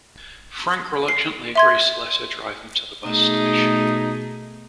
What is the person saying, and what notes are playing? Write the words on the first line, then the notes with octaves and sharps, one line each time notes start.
Frank reluctantly agrees to let her drive him to the bus station.
C7
E5 C6 G#6
B2 A3 D#4 G#4